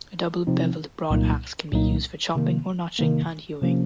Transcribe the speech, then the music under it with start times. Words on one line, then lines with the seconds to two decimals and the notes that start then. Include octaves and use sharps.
A double beveled broad axe can be used for chopping or notching and hewing.
0.47 C3 F3 C4 D#4
1.10 C2 A#2 F#3 A#3 D#4
1.73 C2 A#2 F#3 A#3 D#4
2.36 C3 D#3 A#3
2.99 C3 D#3 A#3
3.62 C3 F3 A#3 C#4